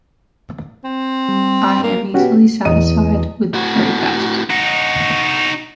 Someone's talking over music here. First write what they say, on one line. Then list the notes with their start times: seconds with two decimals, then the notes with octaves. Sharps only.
I am easily satisfied with the very best.
0.84 C4
1.29 G3
1.83 A#3
2.14 B2 C#4 F#4 G4
2.65 E2 D#5 D#7
3.54 A2 F#4
4.50 D#4 F#4